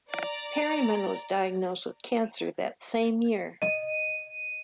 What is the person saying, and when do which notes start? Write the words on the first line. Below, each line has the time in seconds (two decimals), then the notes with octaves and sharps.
Perryman was diagnosed with cancer that same year.
0.10 D5 A#5
3.62 D#5 D#7